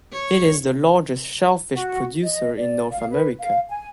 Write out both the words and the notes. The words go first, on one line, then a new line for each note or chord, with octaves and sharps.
It is the largest shellfish producer in North America.
C#5
F#4
D#5
D5
F5
B4
F5
G#5